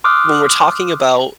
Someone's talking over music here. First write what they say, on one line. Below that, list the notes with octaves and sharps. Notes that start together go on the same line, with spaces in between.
when we're talking about
C6 D6 D#6 F6 F#6